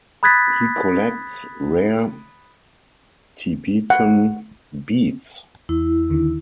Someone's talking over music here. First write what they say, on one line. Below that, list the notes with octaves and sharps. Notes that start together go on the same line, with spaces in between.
He collects rare Tibetan beads.
B5 D#6 F#6 G#6 A6 B6
F#5
E2 E4
D#2 D3 D#3